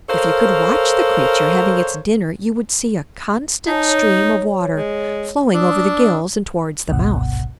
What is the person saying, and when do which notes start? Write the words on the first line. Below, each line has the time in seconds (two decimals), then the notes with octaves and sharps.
If you could watch the creature having its dinner, you would see a constant stream of water flowing over the gills and towards the mouth.
0.09 A4 A#4 C5 C#5 F5
3.67 D#4 C#5 G#5 A5
3.88 C#5
4.76 G#3
5.54 D4 D#6 E6
6.89 G#1 C#2 G2 B2 F#5